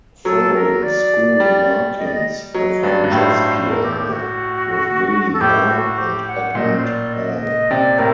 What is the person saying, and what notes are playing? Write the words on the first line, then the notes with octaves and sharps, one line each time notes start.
Following school Larkins performed jazz piano with Billy Moore and Edmond Hall.
F#3 A4
A#4
D5
G3
D#5
D5
D#5
F#3 D#5
G2 D5
G2
A2 C5
C5
A#4
G4
A4
G4
G4
F#4
A4
A2 G4
F#4
G4
F#5
A#2 D#5
C5
D5
D#5
D#5
C3 D5
A2 A#4